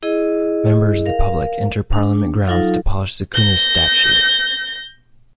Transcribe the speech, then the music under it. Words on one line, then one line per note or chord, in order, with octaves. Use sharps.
Members of the public enter Parliament grounds to polish Sukuna's statue.
E4 G#4 D#5
A#4 F5
D4
F#3 D#4 F4 A4 F5
G6 A#6